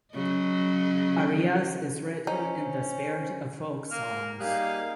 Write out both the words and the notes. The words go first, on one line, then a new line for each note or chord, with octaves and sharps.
Arias is written in the spirit of folk songs.
C#3 F#3 D#5
C#4 D#4 C5
A#3 F6
G3 A#3 D#4 G4 G#4 F5 F#6